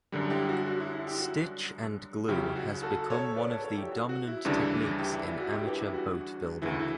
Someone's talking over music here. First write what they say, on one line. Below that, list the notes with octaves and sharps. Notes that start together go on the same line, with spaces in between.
Stitch and glue has become one of the dominant techniques in amateur boatbuilding.
F#2 D3 G3
E4 G4
F#4
F#4
E4
E4
E4 G4
F#4
C#2 C#3 F#3 C#4 E4 G4
F#4
F#4 A4
A4 C#5
B4 D5
A4 C#5
A4 C#5
E4 G4
F#4
F#4
E4
D2 C#3 E3 G3 D4
E4 G4
E4
E4
F#4
E4 G4
G4 B4
E4 G4
F#4
D2 C#3 E3 E4
E4